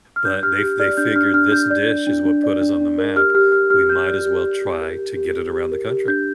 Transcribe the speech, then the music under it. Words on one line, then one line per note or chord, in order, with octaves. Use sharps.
but they f they figured, "This dish is what put us on the map, we might as well try to get it around the country."
F6
D4 G6
G4 F6
G4
D5 F6
D4 G6
D4 F6
D4 F6
D4 G6
D5 G6
D4
D4
D4
D5
D4
D4
A#4
G4 F6
G4 F6
G4 F6
G4 F6
G4 G6
D5
G4
G4
G4
A#4
G4
G4
G4
G4
A#4
G4
D4 G6